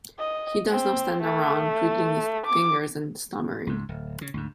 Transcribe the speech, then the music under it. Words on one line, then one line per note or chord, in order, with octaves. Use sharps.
He does not stand around, twiddling his fingers and stammering.
D#5
C4
A3
D6
C#2 G#2
D1
C#3
D2 G#2